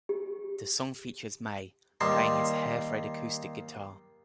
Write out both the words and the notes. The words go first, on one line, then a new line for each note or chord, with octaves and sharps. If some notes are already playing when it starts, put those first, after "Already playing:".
The song features May playing his Hairfred acoustic guitar.
G4
D#2 G3 A5 C6